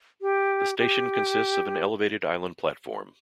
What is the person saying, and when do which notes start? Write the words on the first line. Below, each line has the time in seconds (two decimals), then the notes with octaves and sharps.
The station consists of an elevated island platform.
0.22 G4
0.78 G4